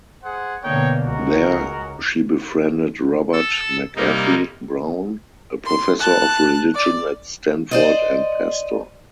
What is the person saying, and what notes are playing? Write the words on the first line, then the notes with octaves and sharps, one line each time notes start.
There she befriended Robert McAfee Brown, a professor of religion at Stanford and pastor.
G#4 C5 F#5
B2 D3 A#3 D#4 C#5 G5
C#2 F#4 G#4 A#4
A4 E6
C3 G3 A#3 D#4
C6
A5 F#6
D5
C5 D5 D#5